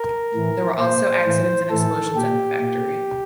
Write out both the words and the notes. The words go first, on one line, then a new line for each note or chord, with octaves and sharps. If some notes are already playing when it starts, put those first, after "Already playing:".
There were also accidents and explosions at the factory.
Already playing: A#4
A2 E3
A#2 C5
A2 E3
A2 E3 A4
A#2 G4
A#2